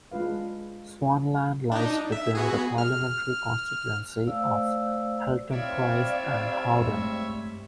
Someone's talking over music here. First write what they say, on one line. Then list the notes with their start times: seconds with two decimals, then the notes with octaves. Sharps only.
Swanland lies within the Parliamentary constituency of Haltemprice and Howden.
0.12 G#3 D4 F4 B4 F5
1.72 D4 D#4
2.12 E5
2.35 B3 F#4 G#4
2.78 F6
4.27 A3 C5 D5 F5 E6
5.51 G3 C4 C#5 D5 E5 F5
6.81 G2 G#3 A3